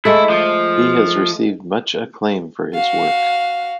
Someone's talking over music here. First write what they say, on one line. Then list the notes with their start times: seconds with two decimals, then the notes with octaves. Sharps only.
He has received much acclaim for his work.
0.05 G#3 A3 E4 A4
0.30 F3
2.74 F#4 F5